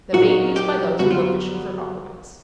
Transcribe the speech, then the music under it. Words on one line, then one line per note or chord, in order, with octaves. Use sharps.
The bait used by those who go fishing for compliments.
A#2 F#3 A#3 D#4 F#4
G4
F#2 D3 G3 B3 F#4
F4